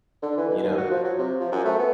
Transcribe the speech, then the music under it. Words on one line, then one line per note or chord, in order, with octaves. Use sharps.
you know?
D3
E3
B2
D#2
F#4
F3
F#3
C3
F3
F#2
A3
B3